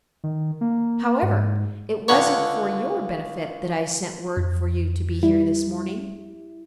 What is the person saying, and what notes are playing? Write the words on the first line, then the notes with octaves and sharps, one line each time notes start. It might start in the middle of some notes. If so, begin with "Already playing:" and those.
However, it wasn't for your benefit that I sent word for you to be here this morning.
D#3
A#3
G#2
C#2 D3 C#5
F2
G3 E4